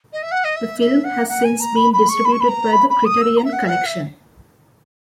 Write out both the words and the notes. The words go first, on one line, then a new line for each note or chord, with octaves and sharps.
The film has since been distributed by the Criterion Collection.
D#5
E5
F#5
D#5
E5
E5
F#5
F#5
G#5
A#5
B5
B5
C#6
B5
C#6
B5
A#5
B5
B5
D#6
E6
A#5
E5
F#5
E5
F#5
E5